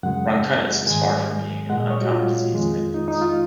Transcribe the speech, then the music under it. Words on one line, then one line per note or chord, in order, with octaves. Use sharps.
Bronchitis is far from being an uncommon disease of infants.
F#2 C#3 G#3 F#5
G#2 D#3 G#3 G#5
A#2 G#3 F#5
D#5
C#5
F#4
F4
F2 D#3 G#3
D#4
D#4
F4